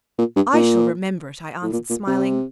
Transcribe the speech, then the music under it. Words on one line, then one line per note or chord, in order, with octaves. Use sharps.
'I shall remember it,' I answered, smiling.
A#2
G2
A#2
A2
A#2
A#2
C3